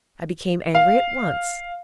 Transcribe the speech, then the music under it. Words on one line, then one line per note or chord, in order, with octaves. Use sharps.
I became angry at once.
F5